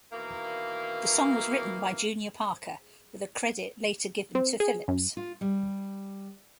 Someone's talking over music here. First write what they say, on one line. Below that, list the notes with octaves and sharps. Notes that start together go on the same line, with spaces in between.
The song was written by Junior Parker, with a credit later given to Phillips.
B2 D#3 E3 A#3
C4
G#4
F#2
F4
G3